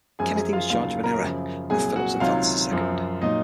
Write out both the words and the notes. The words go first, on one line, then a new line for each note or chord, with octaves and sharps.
Kennedy was charged with an error, and Phillips advanced to second.
F#2 F3 G#4 G#5
G#4 G#5
F4 F5
D#2 C#3 F#3 F4 F5
A#4 A#5
F#2 C#3 F3
C2 A#2 F#3 G#4 G#5
F#4 F#5
C#2 C3 D#3 F#3 F4 F5
F#2 F3
A#2 F#3 D#4 D#5